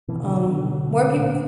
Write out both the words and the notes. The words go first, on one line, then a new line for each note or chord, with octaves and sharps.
um, more peop
B2 E3
B2 D3
D#3
B2 D3
B2
B2
B2
A#2